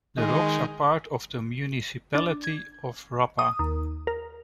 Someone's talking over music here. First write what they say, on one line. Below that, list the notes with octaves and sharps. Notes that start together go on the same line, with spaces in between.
The rocks are part of the municipality of Rapa.
D#3 G#3
D4
G#6
D#6
D#2
A#4